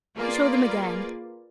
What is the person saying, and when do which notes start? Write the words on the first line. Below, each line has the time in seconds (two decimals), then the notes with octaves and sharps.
He showed them again.
0.16 A#3 F4 G#4 B4 D5